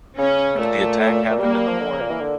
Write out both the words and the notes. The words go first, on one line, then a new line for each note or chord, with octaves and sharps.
The attack happened in the morning.
C#3 C#4
A#2 A3
A2
A#2
A#2
G3 A#3
G3
F3
D3
C#3
A#2
E3
D3